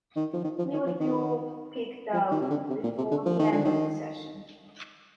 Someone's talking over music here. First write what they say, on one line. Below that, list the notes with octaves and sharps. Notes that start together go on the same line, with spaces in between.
You would be all kicked out before the end of the session.
D#3
F3
D#3
F3
D#3
F3
D#3
F3
D#3
C3
D3
C3
A#2
C3
D3
F3
D#3
D3
D#3